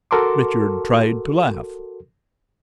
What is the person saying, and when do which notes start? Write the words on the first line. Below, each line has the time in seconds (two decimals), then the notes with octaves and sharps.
Richard tried to laugh.
0.11 F#4 A4 A#4 A5 C6 D6